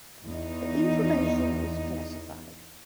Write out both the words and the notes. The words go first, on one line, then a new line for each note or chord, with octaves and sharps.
That information is classified.
E2 D#4